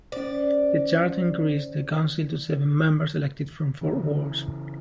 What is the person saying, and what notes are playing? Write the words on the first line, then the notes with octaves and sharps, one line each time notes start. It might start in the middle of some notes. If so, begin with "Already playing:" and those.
The Charter increased the Council to seven members elected from four wards.
C#4 C5 D5
C#3 E3